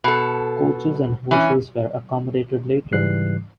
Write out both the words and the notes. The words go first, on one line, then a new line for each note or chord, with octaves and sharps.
Coaches and horses were accommodated later.
B2 A4
E3 C#4
G#2 C#3 E3 G3 F#6 C7